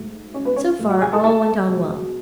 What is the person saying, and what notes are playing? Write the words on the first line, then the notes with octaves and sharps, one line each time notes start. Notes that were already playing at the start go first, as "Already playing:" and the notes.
So far all went on well.
Already playing: G#2 F#3 A3
C#4 C#5
B3 B4
C#4 C#5
A2 F#3 A3
F#4 F#5
G#4 G#5
A4 A5
A4 A5
B2 G#3